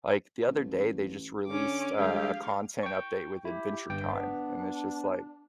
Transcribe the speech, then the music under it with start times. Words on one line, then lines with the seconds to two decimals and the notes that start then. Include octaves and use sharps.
Like the other day, they, just, released a a content update with Adventure Time, and it's, just, like
0.47 A1
1.48 D3 C#4 D6
1.99 D3 G3 G#3 G4 F5
2.83 G5 C#6
3.45 E4 G4
3.90 G1 G2 G5
4.12 B3 D4